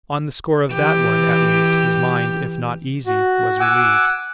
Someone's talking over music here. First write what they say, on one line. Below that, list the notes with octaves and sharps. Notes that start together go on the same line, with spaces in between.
On the score of that one, at least, his mind, if not easy, was relieved.
E3 G4
F#4
F#5 G#5 D6 E6